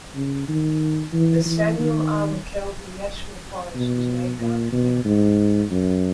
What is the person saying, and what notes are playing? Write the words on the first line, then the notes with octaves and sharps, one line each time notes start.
The Samuel R. McKelvie National Forest is named after him.
C#3
D#3
E3
E3
D#3
B2
A#2
B2
G#2
F#2